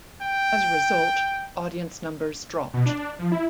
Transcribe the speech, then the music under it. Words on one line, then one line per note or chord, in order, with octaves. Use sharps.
As a result, audience numbers dropped.
G5
B2
D4
F3
E4